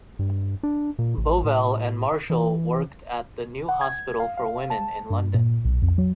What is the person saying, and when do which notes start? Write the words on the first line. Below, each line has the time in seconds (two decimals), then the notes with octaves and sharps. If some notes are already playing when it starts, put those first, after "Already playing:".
Bovell and Marshall worked at the New Hospital for Women in London.
0.19 G2
0.63 D4
0.99 A#2
1.17 A1
1.45 A2
2.30 E3
3.69 F#5
3.81 G#6
4.20 F5
4.37 F5
4.70 A5
5.10 G2
5.34 A#2
5.65 B1
5.82 F2
5.98 F#3